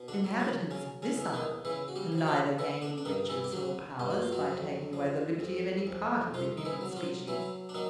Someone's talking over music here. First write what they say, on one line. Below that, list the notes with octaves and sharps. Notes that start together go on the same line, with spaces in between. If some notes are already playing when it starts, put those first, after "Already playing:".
Inhabitants of this island can neither gain riches nor power by taking away the liberty of any part of the human species.
Already playing: B2
D3 D4
F#3
C#3 C#4
C#3 C#4
C#3 C#4
E2
E4
D#3 D#4
C#3 E3 E4
F#4
G3 G4
F3
F#4
F3 F4
D3 E3 E4
D3 D4
D4
G2 D#3 D#4
E3 E4
G4
D3 F#3 F#4
G2 G4
F#4
F4
F#3 F#4
F2
F3
F2
F2
C2 F3 F4
D#4
E3 E4
F#3
F#4
F3 F4
E3 F#3 E4
D4
D#3 F#3 D#4